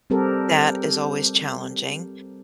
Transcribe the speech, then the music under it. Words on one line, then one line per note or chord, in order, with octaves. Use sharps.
that is always challenging,
G3 C4 G4 A4 A#4